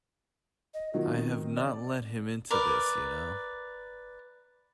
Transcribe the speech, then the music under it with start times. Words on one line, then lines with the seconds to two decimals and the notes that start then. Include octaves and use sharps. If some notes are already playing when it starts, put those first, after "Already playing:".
I have not let him into this, you know.
0.74 D#5
0.94 B2 D#3 F#3 F4
1.16 D#3 C4 D#4
1.57 D5
2.50 A#4 B4 D5